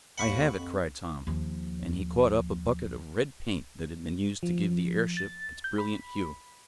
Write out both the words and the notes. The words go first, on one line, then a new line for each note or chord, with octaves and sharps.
"I have it!" cried Tom, and he caught up a bucket of red paint, that had been used to give the airship its brilliant hue.
D#2 F#5 B5 C#6
F2
D#2 F3
F3
A6
G6
B5